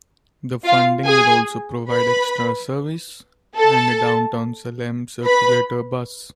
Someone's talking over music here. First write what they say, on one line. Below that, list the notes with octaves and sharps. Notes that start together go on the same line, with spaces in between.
The funding will also provide extra service, and a Downtown Salem circulator bus.
F4 F5
G#4 G#5
B4 B5
A4 A5
B4 B5